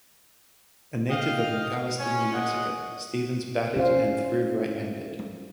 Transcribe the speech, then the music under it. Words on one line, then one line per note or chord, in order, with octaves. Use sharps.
A native of McAlister, New Mexico, Stephens batted and threw right-handed.
D#5 F5 G5
C#4
G#3 G#4 D#5 F#5
C#4 F4 C5 F5